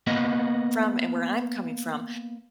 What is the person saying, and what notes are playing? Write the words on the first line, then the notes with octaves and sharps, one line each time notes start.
from and where I'm coming from,
A#3 B3 B4 D#5 F#5